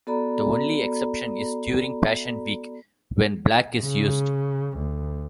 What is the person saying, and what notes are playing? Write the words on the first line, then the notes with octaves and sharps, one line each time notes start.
The only exception is during Passion Week when black is used.
B3 F#4 A4 D5 A#5 B5
C#3
D2